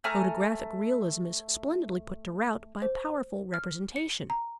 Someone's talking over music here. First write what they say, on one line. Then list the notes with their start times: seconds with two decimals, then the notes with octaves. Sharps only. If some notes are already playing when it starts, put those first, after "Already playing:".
Photographic realism is splendidly put to rout by powerful representation.
0.04 A3 G#5 A#5 F6
2.82 C5
3.54 F6
3.96 C#7
4.30 A#5